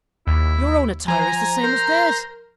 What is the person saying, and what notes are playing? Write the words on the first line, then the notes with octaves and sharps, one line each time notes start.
Your own attire is the same as theirs.
D#2 E4
F3 C5 G#5 A#5
A#4 C5